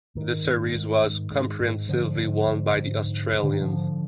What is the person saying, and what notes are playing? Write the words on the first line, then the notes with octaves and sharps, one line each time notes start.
The series was comprehensively won by the Australians.
G#2 D#3
G#2
G#2
G#2
G#2
G#2
G#2 D3 F3
G#2
G#2
G#2
G#2
G#2
D3
D#3
G#2 D3 F3